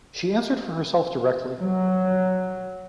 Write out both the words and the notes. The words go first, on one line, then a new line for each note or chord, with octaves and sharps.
She answered for herself directly.
F#3